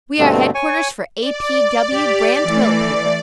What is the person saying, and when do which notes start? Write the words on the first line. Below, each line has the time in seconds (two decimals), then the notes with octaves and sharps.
We are headquarters for A. P. W. Brand Toilet Paper.
0.19 G2 B2 D3 A3 C4
0.55 C#5 G#5 C#6
1.21 D5
1.94 G4
2.47 E3 A3